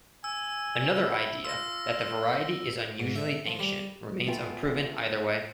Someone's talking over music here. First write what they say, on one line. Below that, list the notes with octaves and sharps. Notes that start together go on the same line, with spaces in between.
Another idea, that the variety is unusually ancient, remains unproven either way.
G#5 E6
E4
F4 E6 A#6
G#2
E5
F3
G3
A3 B3 F4 G5 G#5